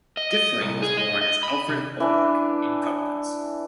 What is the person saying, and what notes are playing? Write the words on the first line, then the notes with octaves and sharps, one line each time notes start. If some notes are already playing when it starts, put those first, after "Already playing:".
Diffring was born as Alfred Pollack in Koblenz.
D#5
D#5
C2
G#4
D#5
D#5
B5
C3
E3 D4